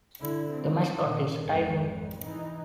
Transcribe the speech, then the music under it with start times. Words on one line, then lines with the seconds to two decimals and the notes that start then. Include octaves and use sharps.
The mascot is a Titan.
0.20 D3 E4
0.51 C4
1.00 A#2 D#3
1.43 G#1 F2
2.21 E3 D#4